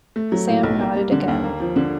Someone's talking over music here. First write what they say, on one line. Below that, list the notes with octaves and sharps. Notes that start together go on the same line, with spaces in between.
Sam nodded again.
A3
F#3
A2
B1
A#3
G3
D3
D#2
A#3
F3
D3